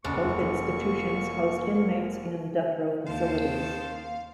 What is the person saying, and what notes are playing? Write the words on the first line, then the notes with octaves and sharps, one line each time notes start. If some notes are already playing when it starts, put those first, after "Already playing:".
Both institutions house inmates in Death Row facilities.
F1 C#3 A#3 D4 C#6
D#2 C5 F5 A5